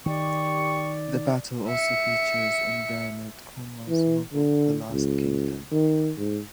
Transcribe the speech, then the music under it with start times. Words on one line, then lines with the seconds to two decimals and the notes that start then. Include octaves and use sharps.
The battle also features in Bernard Cornwell's novel "The Last Kingdom".
0.06 D#3 G4 D5 C#6
1.68 E5 C#7
3.89 E3
4.34 D3
4.90 C#2
5.71 D#3
6.18 G#2